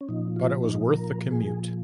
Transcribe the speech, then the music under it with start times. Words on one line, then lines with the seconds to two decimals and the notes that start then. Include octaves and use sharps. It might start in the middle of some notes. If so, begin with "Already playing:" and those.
But it was worth the commute.
0.01 C#4
0.09 A#2 F3 D#4
0.36 F4
0.64 D#4
0.90 A#4
1.31 G#4